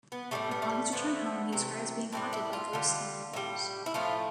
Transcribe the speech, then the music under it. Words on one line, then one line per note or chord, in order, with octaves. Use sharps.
Upon his return home, he describes being haunted by ghosts and nightmares.
B3
A2 E3 G3 A3
B3
A3
D3 F3 A3 B3
C3 E3 A3
A2 E3 G3 C4
E4
F4
D3 G3
A2 G3
E4
A2 F3 A3 F4